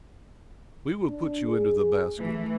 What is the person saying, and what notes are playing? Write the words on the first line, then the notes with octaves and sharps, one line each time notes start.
We will put you into the basket!
D4
G#4
E3 A3